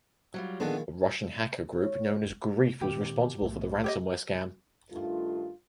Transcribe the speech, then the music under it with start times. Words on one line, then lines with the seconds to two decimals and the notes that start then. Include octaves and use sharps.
A Russian hacker group known as Grief was responsible for the ransomware scam.
0.34 F#3 G3 F4
0.60 A#1 D#3 G#3 B3 D4 A4
1.80 C#5
2.81 A#2 D#3 C4 G4
3.42 B1 A2 A3
3.84 G4 C#5 D#5
4.92 G2 D#3 A3 F4